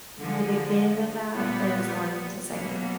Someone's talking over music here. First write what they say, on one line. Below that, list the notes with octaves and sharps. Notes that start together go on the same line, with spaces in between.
the beginning of that is learning to say no,
D3 F3 G#3
A#2 G3 B3
B2 F#3 A#3